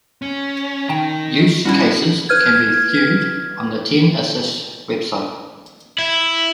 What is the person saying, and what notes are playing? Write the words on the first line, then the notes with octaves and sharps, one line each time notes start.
Use cases can be viewed on the TenAsys website.
C#4
D#3 G5 A5
G3 C4 C#4 E4 F#4
B4 F6 G#6
E4